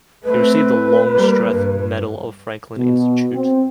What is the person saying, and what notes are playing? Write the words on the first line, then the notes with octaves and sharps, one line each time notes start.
He received the Longstreth Medal of Franklin Institute.
A3 C4 B4
G3 A#3
G2
B2
C4